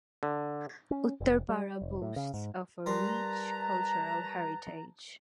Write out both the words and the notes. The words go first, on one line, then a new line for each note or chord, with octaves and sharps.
Uttarpara boasts of a rich cultural heritage.
D3
C#4
F1
G3
F1
A2
C#3
G#2
G3 A#4 B4 A5 A#5 C6